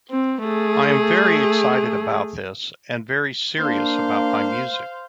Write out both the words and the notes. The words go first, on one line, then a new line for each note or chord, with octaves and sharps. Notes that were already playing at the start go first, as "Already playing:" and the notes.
I am very excited about this and very serious about my music.
C4
A3 G#4
A#3 D4 C5 F5